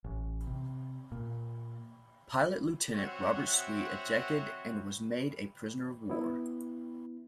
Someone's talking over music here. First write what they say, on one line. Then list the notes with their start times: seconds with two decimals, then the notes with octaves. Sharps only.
Pilot Lieutenant Robert Sweet ejected and was made a Prisoner of War.
0.04 A1
0.47 C3
1.12 A#2
2.94 C4 F#4 C5 C#5 E5 F#5
6.10 B3 E4